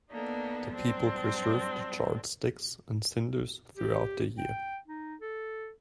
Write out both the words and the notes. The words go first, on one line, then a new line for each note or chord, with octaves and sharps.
The people preserve the charred sticks and cinders throughout the year.
A#3 B3 D4 D#4 A4
G2 F#3 C4 D4
G4
G5
D#4
A4